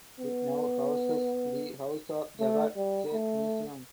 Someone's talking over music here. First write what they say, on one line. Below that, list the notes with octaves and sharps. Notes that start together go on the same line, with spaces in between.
It now houses the House of Jagat Seth Museum.
B3
A3
G3
A3